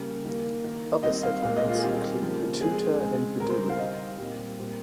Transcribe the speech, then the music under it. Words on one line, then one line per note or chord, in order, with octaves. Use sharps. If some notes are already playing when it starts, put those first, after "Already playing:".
Other settlements include Betoota and Bedourie.
Already playing: C#3 G3 A#3
D#3 A#3
D#3 A#3
D#3 G3 C4 D#5
F5
A#2 G#3 C4 F5
D#5
F4
G#4
D#3 G3 C4 G4
C#3 F3 A#3
D#3 G#3 C4 G#4
C#3 G#3 C4
C#3 G3 C4 A#4
C5
F5
D#3 G3 C4 D#5
A#2 G3 C4
A#2 G3 C4